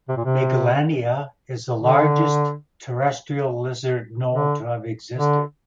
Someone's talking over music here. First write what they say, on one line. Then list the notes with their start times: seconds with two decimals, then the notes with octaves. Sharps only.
Megalania is the largest terrestrial lizard known to have existed.
0.09 C3
0.17 A#2
0.25 C3
1.78 D3
4.31 D3
5.15 D3